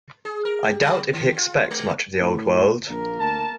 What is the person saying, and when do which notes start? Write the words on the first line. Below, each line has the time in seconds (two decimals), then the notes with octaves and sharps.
I doubt if he expects much of the old world.
0.25 G#4
0.45 A#4
0.63 G4
0.81 F#3
1.13 D#3
1.37 F4
1.71 G#3
2.21 A2
2.89 A#1 A#3 A#4
3.20 D2 A5